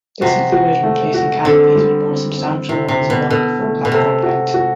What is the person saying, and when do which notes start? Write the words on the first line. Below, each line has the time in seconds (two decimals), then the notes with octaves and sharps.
This included replacing canopies with more substantial ones along the full platform length.
0.21 C3 F#4
0.52 F#4
0.83 A3
1.14 F#4
1.45 D3 C4
1.75 G3
2.07 C4
2.38 C4
2.69 C3 E4
2.88 C3
3.00 D3
3.10 B2
3.30 B2 A4
3.61 A3
3.85 B2
3.92 C3 A4
4.23 F#4
4.54 F#4